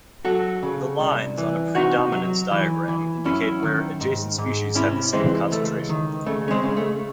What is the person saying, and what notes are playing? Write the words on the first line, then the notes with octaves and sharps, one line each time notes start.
The lines on a predominance diagram indicate where adjacent species have the same concentration.
F#3 F#4 A4
C#3
C2
E3
C3 D#4 F#4
F#3
E3
E3
F#2 C#4 E4
D#3
G#2
G#2
C3 C#4 E4
E3 G#3 C4
C#2 A3
D#3
C#3 A3
C#4
G#3 C4
C#3
A3